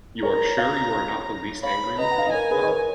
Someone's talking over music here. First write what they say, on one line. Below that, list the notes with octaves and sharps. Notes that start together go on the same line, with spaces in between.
You are sure you are not the least angry with me, Ma?
A#4 C#5 A#5
C#5 F5
C#5 F5 B5
B4 D#5 A#5
F#5
F5
D#5
A#4 C#5 G#5
G#4 B4
D#5
A#4 C#5